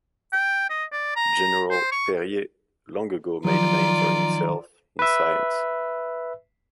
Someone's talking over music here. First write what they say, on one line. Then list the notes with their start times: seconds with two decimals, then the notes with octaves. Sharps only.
General Perrier long ago made a name for himself in science.
0.33 G5
0.69 D#5
0.92 D5
1.16 A#5
1.71 C5
1.91 C#6
3.45 D#3 F3 F#3 F4 D5 A#5
4.99 B4 E5